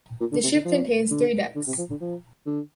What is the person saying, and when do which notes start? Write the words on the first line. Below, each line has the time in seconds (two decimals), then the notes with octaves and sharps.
The ship contains three decks.
0.20 A#2
0.32 D3
0.43 C3
0.54 D3
0.65 F3
1.11 D3
1.56 D3
1.67 C3
1.78 F3
1.90 D3
2.01 F3
2.46 D3